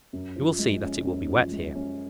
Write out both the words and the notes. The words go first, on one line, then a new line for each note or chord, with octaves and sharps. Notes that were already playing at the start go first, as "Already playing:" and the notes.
You will see that it will be wet here!
F#2
F3
G#3
C#4
F#2
F3
G#3
C#4